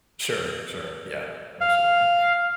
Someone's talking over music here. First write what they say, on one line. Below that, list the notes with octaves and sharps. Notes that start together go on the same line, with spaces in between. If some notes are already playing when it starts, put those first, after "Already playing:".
Sure, sure, yeah, absolutely.
F5